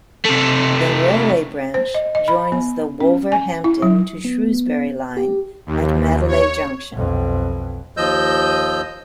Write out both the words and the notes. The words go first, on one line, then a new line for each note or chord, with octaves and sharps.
The railway branch joins the Wolverhampton to Shrewsbury line at Madeley Junction.
C3 A3
C5
D#5
D#5
B5
B3
C#4
G#5
E4
F#3
B3
G4
D#2
C#5
B1 F2
D#2 F3 D#5 E6 G6